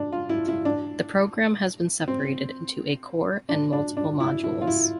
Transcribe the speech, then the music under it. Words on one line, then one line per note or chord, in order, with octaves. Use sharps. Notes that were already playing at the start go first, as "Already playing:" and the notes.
The program has been separated into a core and multiple modules.
Already playing: D4
F4
E4
E4
D4
C4
D4
D4
D4
E4
E4
F4
E4